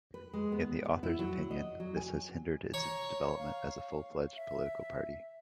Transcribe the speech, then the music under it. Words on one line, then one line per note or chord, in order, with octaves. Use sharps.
In the author's opinion, this has hindered its development as a full-fledged political party.
B4
G#3
B3
B3
E4
F#3
D#5
F#3
G#5
C#5 A#5
F5
E5